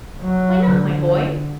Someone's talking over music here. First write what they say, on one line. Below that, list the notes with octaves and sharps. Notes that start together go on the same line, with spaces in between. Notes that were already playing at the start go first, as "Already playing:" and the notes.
"Why not, my boy?"
F#3
D3